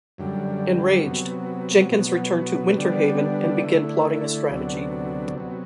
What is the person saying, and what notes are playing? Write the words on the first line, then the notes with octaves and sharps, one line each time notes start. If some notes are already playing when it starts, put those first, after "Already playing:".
Enraged, Jenkins returned to Winter Haven and began plotting a strategy.
F#2 D3 G3
C3 F#3 B3
B2 F#3 B3
D3 G3 B3 D4
D3 A3 E4
D2 C3 F#3 B3 D4
C3 F#3 B3